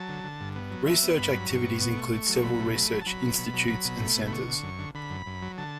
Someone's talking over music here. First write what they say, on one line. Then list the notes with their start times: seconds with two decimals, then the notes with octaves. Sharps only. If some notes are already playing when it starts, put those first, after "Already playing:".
Research activities include several research institutes and centres.
Already playing: F#3 A5
0.09 D3
0.24 D3
0.41 G2
0.56 B3
0.71 F#3
0.87 B3 E5
1.03 B3
1.18 G2 B5
1.34 F#3
1.50 G2 C#6
1.65 B3
1.81 B2 C#6
1.97 A3
2.13 A3
2.29 F#3
2.35 C#6
2.44 B2 B5
2.60 A3
2.75 F#3
2.91 F#3
3.01 A5
3.06 F#3 B5
3.22 B2
3.38 B2
3.54 F#3
3.69 F#3
3.85 B2
4.01 A3
4.16 B2
4.28 B5
4.32 D3 C#6
4.48 D3
4.63 F#2
4.79 D3
4.95 D3 B5
5.10 F#2
5.26 F#2
5.42 F#3
5.58 D3 A5